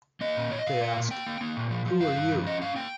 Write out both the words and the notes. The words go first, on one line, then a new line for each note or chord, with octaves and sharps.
They ask, 'Who are you?
A#3 D#5
A#2
A#2 C#5
D#5
A#2 F5
A#3
A#2
A#3 G5
A#3
A#3
A#2
F3
F3
G2 F5
G2
F3
C#4 D#5
G2 F5
A#3 G5